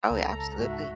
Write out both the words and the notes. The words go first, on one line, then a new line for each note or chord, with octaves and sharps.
Oh, yeah, absolutely.
C#2 A4 A#5
G#2 F#4 E5